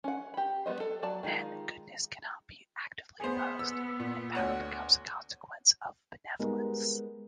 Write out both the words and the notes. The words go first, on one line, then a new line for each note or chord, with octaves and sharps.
Then, goodness cannot be actively opposed, and power becomes a consequence of benevolence.
C#4 F#5
G4 B5
G3 B3 C5 D#5
A4
F#3 D5 A5
D#3 G#3 D#4 F4
B3 G#4 C5
E6
A#2
D2 C#5 F#5
G3 G#3 B3 D#4 A#4 B4